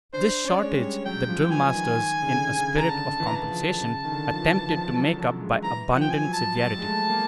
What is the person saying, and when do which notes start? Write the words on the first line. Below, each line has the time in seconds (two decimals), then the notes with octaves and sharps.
This shortage the drill-masters, in a spirit of compensation, attempted to make up by abundant severity.
0.13 D4 C5
0.45 C#4 D5
0.60 C#5
0.65 G#3
0.74 G3
1.05 F#3 G5
1.29 F3
1.51 E3 G#5
1.75 D#3
1.97 D#3
2.22 C#3
2.27 D3
2.59 C#3
2.78 A#5
2.89 D3 A5
3.20 E3
3.27 A#5
3.35 A5
3.51 F3
3.81 C#3
4.05 D#3
4.12 D3
4.33 F3
4.42 E3
4.72 F3
4.95 F#3
5.19 F#3
5.41 G#3
5.64 E3 A#5
5.93 F3 F#5
6.01 G5
6.10 G#5
6.25 F#3
6.33 A5
6.56 G3 A5
6.79 G#3
6.87 A3
7.10 A#3